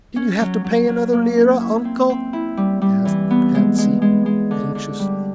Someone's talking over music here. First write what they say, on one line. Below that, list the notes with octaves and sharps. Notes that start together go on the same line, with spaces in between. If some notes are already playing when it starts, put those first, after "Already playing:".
"Did you have to pay another lira, Uncle?" asked Patsy, anxiously.
C#4
F#3
F#3
F#3
A#3
C#4
E4
C4
C4
E4
G3
G3
E3
B3
G#3
G#3
G#3
G#3
D3
D3
G3